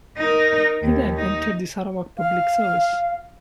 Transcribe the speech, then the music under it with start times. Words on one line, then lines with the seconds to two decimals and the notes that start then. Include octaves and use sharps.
He then entered the Sarawak public service.
0.17 D#4 A#4
0.83 D#2
1.17 D#4
2.18 F5